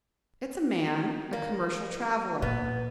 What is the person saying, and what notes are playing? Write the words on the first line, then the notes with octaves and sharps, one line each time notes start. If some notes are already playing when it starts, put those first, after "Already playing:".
It's a man--a commercial traveler.
A#3
A#2 B3